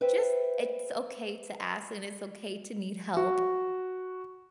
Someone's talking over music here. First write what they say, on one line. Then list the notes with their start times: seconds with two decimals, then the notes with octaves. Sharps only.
just it's okay to ask, and it's okay to need help,
0.01 B4 C5 E5 G5
3.17 F#4